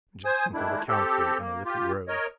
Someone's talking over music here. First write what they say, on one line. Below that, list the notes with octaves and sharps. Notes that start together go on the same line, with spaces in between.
Jackson called a council in a little grove.
C5 G#5 D#6
D#3 G#3 A3 D4 E4
C4 G4 A4
A#3
F4 G4
A#4 C#5 D#5